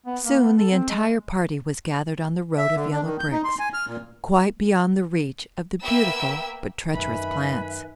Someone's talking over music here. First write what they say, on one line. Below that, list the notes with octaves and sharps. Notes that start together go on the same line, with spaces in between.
Soon the entire party was gathered on the road of yellow bricks, quite beyond the reach of the beautiful but treacherous plants.
B3
A#3
B3
A4
C4
G#3
E5
D3
D4
D#3
G6
D#4
C6
G#5
F6
A#2
A#3 B3 E5 G5 B5 E6
F#2 D#3 F#3 B4 E5 G#5 B5